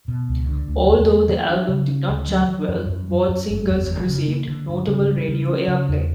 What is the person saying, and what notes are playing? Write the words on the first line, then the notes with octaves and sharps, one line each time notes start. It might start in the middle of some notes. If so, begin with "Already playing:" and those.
Although the album did not chart well, both singles received notable radio airplay.
B2
C#2
D3
D2
E2
A#3
E3
D4
C#3
C#4
D2
F#3
E3
F#2
F#2
F#3
F#2
G1
E2
F#1
C#3
A#3
D3
G2
C#3
G3
C#3
C#4
C#3
E2